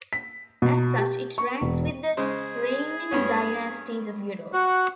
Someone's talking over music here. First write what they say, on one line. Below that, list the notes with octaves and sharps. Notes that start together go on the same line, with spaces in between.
As such it ranks with the reigning dynasties of Europe.
B6
B2
G4
C#6
E1
C#3 G#3 G#4 C5
G2 B3 C#4
F#4 F#5